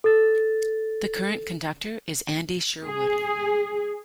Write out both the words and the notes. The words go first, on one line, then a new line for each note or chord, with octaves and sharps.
The current conductor is Andy Sherwood.
A4 A6
G#4